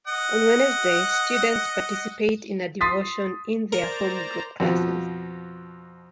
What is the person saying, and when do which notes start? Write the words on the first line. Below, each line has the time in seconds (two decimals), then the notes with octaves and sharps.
On Wednesday, students participate in a devotion in their homegroup classes.
0.07 D#5 F#5
2.81 C6 D#6 A6 B6
3.72 A#4 C5 D5 A#5
4.60 F2 B2 F3